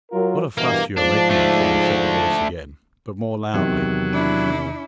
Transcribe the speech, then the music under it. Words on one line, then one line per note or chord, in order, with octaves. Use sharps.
"What a fuss you are making of things," said the voice again, but more loudly.
F#3 F4 A#4
G2 B2 E3 A#3
G#2 F3 D4
A3 D4
E2 C3 D#3 F#3
D4 E4